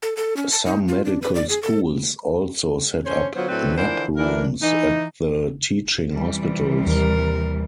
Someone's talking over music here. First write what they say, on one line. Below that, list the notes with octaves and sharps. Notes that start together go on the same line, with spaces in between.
Some medical schools also set up nap rooms at the teaching hospitals.
A4
A4
C#4
A5
D#4
F4
D4
B4
D5
G#4
A4
F#2 D3 C#4 C5 C#5
D3 F#3 B3 F4 C5 C#5
A2 F#3 C4 D4 A4 B4
D3 E3 F3 D4 A#4 C5
E3 D4 A#4
E3 D#4
C3 E3 G3
D#2 A#4